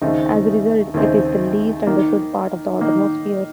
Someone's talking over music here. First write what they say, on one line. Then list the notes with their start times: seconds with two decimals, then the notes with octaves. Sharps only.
As a result, it is the least-understood part of the atmosphere.
0.02 D#2 C#3 A3 C4 D#4
0.94 D#2 C#3 A3 C4 D#4
1.87 D#3 A#3 D#4
2.79 D#3 A#3 D#4